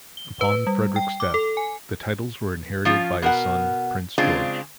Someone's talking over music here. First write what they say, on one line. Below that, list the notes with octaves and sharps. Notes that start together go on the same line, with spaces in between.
Upon Frederick's death, the titles were inherited by his son Prince George.
G7
B4
G3
G5
D6
A4
G#5
F3 C#4 F4
B2 A#4 F#5
C#3 G#3 C4 D4 F4